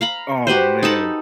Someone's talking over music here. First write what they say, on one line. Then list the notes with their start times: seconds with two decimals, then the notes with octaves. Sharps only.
Oh, man.
0.01 F5 A#5 B5
0.47 F#4 G4 B4 C5
0.83 D#4 A4 A5 B5